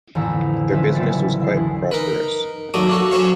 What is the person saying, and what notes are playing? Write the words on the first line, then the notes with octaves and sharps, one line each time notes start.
Their business was quite prosperous.
A1 F2 D3 B3 A#5 E6
D3
E3 C#4 D#4 F4 B4 E5
F#1 G3 E5 F#5 A6
D3 E4 C7
E2 G#3 D4 E4
D#4 A#4 B4
D#2 F#3 A3 D5 A#5 D#6
D4 F#4 A4
F#3 C#4 C5 C#5 F5